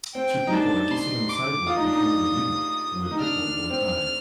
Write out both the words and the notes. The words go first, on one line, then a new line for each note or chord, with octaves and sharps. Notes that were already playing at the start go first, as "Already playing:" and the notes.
Two people are kissing on a sidewalk in front of a limo while people walk by.
C4 G5
D#4
D4 A5
C6
D6
F4 D#6
D#4
D4
D#4
D#4
D4 F6
D4
C4